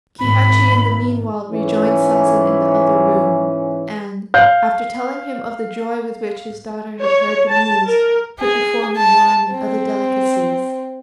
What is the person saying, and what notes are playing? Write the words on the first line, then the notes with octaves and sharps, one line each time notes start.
Kihachi in the meanwhile rejoined Sazen in the other room, and, after telling him of the joy with which his daughter had heard the news, put before him wine and other delicacies.
G#1 B5
G#2 E3 C#4
F5 G6
C#5
A5
A#4
G#4
A5
C4